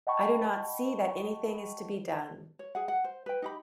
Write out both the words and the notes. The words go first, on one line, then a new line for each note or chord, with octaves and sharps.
I do not see that anything is to be done.
D#5 F#5 G5 A5 B5 C#6
C#5
G#4 F#5
F#5
C5
B4 G5
D#4 G4 B5